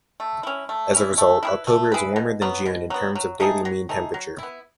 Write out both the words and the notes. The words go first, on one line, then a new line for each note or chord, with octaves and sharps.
As a result, October is warmer than June in terms of daily mean temperature.
A3
C#4 E4
A3
C#4 E4
A3
E4 G#4 B4
A3
E4 G#4 B4
B2
F#3 B3
B2
F#3 B3
F#3
A3 D#4 G#4
F#3
A3 D#4 G#4
F#3
B3 E4